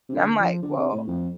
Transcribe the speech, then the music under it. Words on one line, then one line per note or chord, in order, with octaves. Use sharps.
and I'm like, "Well,
C3
D3
F3
D3
C3
A2
F2